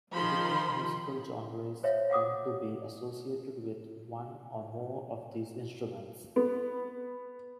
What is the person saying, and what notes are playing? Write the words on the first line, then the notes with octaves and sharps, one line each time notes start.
Different musical genres tend to be associated with one or more of these instruments.
D#3 F3 B5 C6
C5 C#5 E5 F5
F5 F#5 D6 D#6
B3